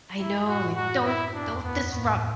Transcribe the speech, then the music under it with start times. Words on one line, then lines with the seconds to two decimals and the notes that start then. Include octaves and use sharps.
I know, like, don't don't disrupt
0.18 F#2 E4
0.47 A2 F#4
0.76 F#2 F#4
1.05 E4
1.34 F#2 D4
1.43 E2
1.49 F#2
1.63 B3
1.92 A2 B3
2.06 A2